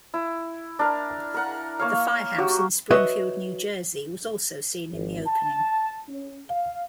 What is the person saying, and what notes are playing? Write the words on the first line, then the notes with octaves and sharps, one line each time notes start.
The firehouse in Springfield, New Jersey was also seen in the opening.
E4
D4 A#4
A#4 F#5
A#3 C#5 F5
F#3 F#4 G4
F#4 B4 C#5 D#5 E5
G#1
A5
C#4
F5